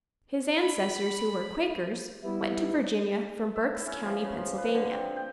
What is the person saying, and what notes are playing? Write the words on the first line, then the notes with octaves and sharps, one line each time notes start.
His ancestors, who were Quakers, went to Virginia from Berks County, Pennsylvania.
B5
G3 B3 E4
E5
E4
C#4
F3
C#3
F3
B4
D3
C4
G5